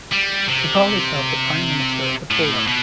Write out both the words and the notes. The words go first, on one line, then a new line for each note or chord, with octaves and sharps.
She called herself 'The Prime Minister of the Poor'.
G3
C3
A2
B2